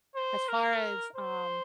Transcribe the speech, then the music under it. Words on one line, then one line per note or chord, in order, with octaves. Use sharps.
as far as, um,
C5
A#4
C5